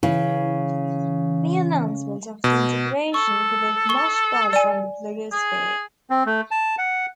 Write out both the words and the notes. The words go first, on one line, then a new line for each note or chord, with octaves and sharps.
The announcement of the integration provoked much buzz on the blogosphere.
C#3 E3
B2
A4 C#6
C#6 G7
D5 G#5
G#4
C4
A3
A5
F#5